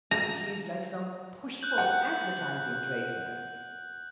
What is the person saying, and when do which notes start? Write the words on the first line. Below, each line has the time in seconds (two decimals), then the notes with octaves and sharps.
She is like some pushful advertising tradesman.
0.11 A#5
1.61 F#6 G6 F#7
1.78 F#5